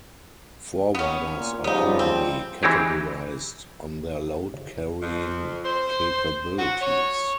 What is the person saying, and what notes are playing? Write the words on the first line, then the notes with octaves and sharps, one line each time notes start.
Forwarders are commonly categorised on their load carrying capabilities.
B3 C#4
A#2
C#3 F3 G3 B3 D#4
C4
E3 C4 D#4 E4 G4 G#4
F2
C5
F#4
C#5